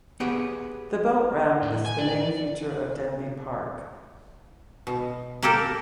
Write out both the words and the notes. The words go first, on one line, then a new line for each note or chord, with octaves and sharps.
The boat ramp is the main feature of Denbigh Park.
B3 G4 G#4 B4 C#5 F#5
A2
G#5
D5
B2
A#3 G4 A4 A#4